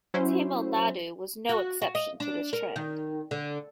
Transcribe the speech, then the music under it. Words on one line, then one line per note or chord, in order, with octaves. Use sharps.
Tamil Nadu was no exception to this trend.
F#3 C#4 E4 C5
F#4
F#4
D#5
D4
A#4
D#3
D3